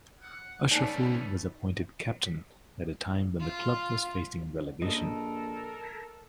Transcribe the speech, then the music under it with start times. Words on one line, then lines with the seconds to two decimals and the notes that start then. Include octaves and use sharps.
Ashraful was appointed captain at a time when the club was facing relegation.
0.22 F#5
0.71 C#3 G3 A3 D#4 B4 D5 G#5
3.40 F4
4.82 A#1 A4 A#4 D#5